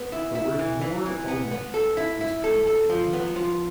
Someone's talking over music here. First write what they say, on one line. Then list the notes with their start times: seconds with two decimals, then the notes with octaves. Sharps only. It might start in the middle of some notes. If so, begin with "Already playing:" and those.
The word "moor" only was printed in ink.
Already playing: B3
0.12 E4
0.35 E4
0.59 E3
0.81 E3
1.06 E3
1.28 B3
1.51 B3
1.74 A4
1.97 E4
2.21 E4
2.44 A4
2.67 A4
2.90 F3
3.13 B3
3.36 F3